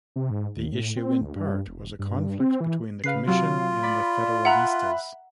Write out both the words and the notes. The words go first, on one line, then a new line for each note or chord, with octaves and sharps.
The issue in part was a conflict between the Commission and the Federalistas.
C3
G#2
D#2
A2
C4
D2
G2
E1
G2
C4
E3
C#3 B4 F5 C7
C3 F#3 F4 F5
D5 B5
E5 F#5 A#5 B5 F#6